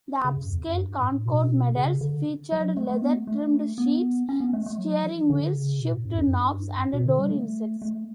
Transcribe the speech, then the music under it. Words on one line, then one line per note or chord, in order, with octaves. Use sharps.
The upscale Concorde models featured leather-trimmed seats, steering wheels, shift knobs and door inserts.
C#3
F#2
E2
F#2
G2
A2
B2
C#3
D3
F#3
A3
A3
B3
A3
A3
B3
C#4
B3
A3
A3
F#3
E3
D3
C#3
B2
A2
F#2
F#2
G2
B2
D3
G3
A3
A3